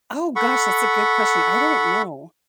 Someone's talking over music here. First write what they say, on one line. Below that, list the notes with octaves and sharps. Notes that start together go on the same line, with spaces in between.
Oh, gosh, that's a good question, I don't know.
A4 F#5 B5 C#6